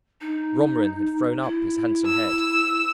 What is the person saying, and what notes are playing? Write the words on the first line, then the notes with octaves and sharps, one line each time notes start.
Romarin had thrown up his handsome head.
D#4
E4
E6